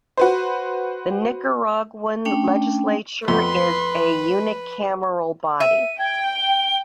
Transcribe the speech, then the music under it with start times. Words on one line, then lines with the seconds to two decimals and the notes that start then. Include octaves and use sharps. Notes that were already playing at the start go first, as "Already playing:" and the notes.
The Nicaraguan legislature is a unicameral body.
0.17 F#4 B4 C5
2.25 A3 C#4 D4 G5
3.28 F2 A3 B3 B4 C6
5.60 E5 D#7
5.99 G5 G#6
6.36 G7